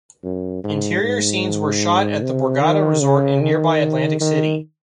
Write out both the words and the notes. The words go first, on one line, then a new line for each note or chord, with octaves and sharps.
Interior scenes were shot at the Borgata resort in nearby Atlantic City.
F#2
G#2
G#2
C3
D#3
C#3
D#3
D#3